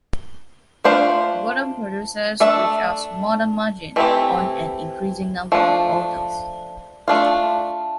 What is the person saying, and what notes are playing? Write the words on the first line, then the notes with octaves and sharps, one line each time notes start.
Volume producers squeezed out smaller margins on an increasing number of autos.
A3 D4 F4 C5
A3 D4 A4 E5
E3 A3 C4 E4 G4
F3 A3 D4
A3 D4 F4